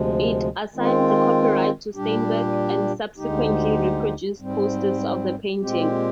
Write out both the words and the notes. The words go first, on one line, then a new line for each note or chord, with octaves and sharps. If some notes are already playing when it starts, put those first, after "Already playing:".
It assigned the copyright to Steinberg and subsequently reproduced posters of the painting.
Already playing: D2 C3 F3 G#3
D#3 G#3 C4 F4
A#2 G3 D4 G4
D2 D3 G#3 D#4 G4
G#2 G3 C4
A#2 G#3 C4 G4